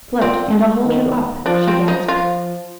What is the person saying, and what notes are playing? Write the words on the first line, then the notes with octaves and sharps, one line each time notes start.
"Float, and I'll hold you up," she gasped.
A#2 C4
D#3
F3 D4
C4
D#4
F3 F4